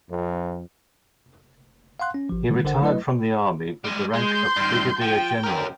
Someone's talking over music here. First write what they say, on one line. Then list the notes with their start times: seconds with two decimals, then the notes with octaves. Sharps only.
He retired from the army with the rank of Brigadier General.
0.10 F2
2.00 F5 F#5 C6 F#6
2.14 C#4
2.29 G#1 F3
2.49 D3 D#3 G3
2.64 G#1 D3 A#4 C5 F#5
2.81 F#3 A3 E4 B4 D#5
3.84 G3 G#3
4.14 G#3 C6 G6
4.56 G2 D#3
5.01 F3 G5
5.43 C#4 A#4